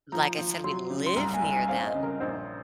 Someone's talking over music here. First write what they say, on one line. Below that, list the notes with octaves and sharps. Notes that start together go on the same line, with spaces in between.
like I said, we live near them.
F3 A#5
F3
F#3 C6
C#3
C6
C2 A#5
G#5
C2
G#5
C4 F5
D#5
C#3
A#4
A#1 C5